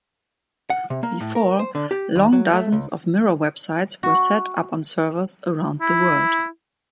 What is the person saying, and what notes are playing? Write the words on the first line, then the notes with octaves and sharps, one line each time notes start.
Before long dozens of mirror websites were set up on servers around the world.
F#5
C3
A#3
A2
A#4
C5
D3
G4
D#2
F#3
A3
C#2
F#4
E4